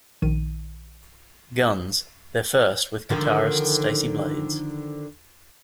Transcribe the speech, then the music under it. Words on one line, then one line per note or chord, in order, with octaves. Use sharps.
Guns, their first with guitarist Stacey Blades.
A#1 D#3 D#7
D3 D#3 F3